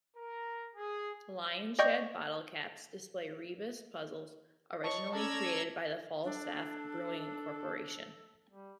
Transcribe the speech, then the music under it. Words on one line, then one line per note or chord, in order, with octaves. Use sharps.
"Lionshead" bottle caps display rebus puzzles originally created by the Falstaff Brewing Corporation.
A#4
G#4
D5 D#5 G5 C#6 G6
C#5 D#5 A5 C#6
C#4 A4 D5 A5 A#5 E6 G#6
D4 A4
G3